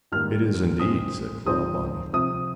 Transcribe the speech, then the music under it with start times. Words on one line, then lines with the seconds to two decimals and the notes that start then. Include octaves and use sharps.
"It is, indeed!" said Clawbonny.
0.12 G#2 D#3 G3 A#3 F6
0.79 A#2 G#3 C4 D#6
1.46 G#2 F3 C4 D#6
2.13 C3 F3 C4 D#6